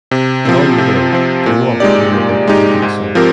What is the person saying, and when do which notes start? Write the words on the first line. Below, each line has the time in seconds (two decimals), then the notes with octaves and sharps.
Along the way, they walked near a big building site.
0.11 C3
0.45 F3 C4
0.78 C3
1.13 F3 C4
1.46 A#2
1.80 G#3 D#4 G4 D5
2.13 A#2
2.47 G#3 D#4 G4 D5
2.82 G#2
3.15 F3 C4 G4 A#4